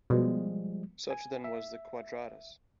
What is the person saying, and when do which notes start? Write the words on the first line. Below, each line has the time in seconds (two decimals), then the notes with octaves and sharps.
Such then was Quadratus.
0.10 B2 F3 G3 G#3
1.10 G#5
1.44 E5